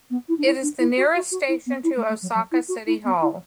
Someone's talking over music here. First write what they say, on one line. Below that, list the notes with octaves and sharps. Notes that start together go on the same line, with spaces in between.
It is the nearest station to Osaka City Hall.
B3
E4
D4
E4
D4
E4
F#4
F#4
F#4
E4
B3
E4
A3
A3
F#3
F#3
E4
F#4
E4
B3
E4